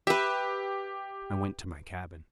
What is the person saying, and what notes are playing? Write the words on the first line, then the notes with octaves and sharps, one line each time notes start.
I went to my cabin.
G4 B4 E5